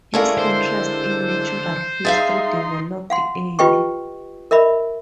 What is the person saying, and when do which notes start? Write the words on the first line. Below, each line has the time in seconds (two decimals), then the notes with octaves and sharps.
His interest in natural history developed early.
0.14 G#3 C#4 E4 A4 A#4 D5 F5
0.38 D3 C5
2.05 D#4 G#4 E5 F5 C6 G6 A6
3.10 F5 F#5 C6
3.59 F4 G4 B4 D#5 G5 C#6
4.51 A#4 D#5 E5 B5